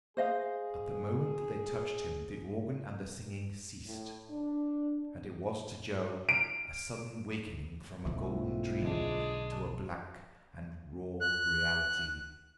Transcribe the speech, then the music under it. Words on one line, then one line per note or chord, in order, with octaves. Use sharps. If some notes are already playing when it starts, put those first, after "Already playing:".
At the moment that they touched him the organ and the singing ceased; and it was to Joe a sudden wakening from a golden dream to a black and raw reality.
G#4 C5 D#5 F5
A2
D4
D7
B1 F2 B2 G#3 A#3 E4 F4
D3 G#3 D4
F#6